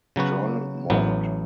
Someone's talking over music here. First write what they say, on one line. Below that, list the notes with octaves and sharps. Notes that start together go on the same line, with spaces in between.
John Maude.
C#3 F#3 B3 F#4
A1 A2 F#3 B3